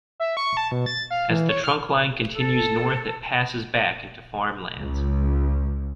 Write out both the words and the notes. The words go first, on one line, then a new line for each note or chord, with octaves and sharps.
As the trunkline continues north, it passes back into farm lands.
E5
C#6
A5
B2
A6
F5
E3
C#5
F6
A4
C#2